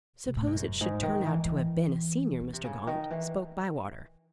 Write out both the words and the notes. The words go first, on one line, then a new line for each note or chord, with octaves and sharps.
"Suppose it should turn out to have been a senior, Mr. Gaunt?" spoke Bywater.
C3
A2
G#2
F#2
G#2
C#3
D#3
E3
E3
D#3
C3
C#3
D#3
E3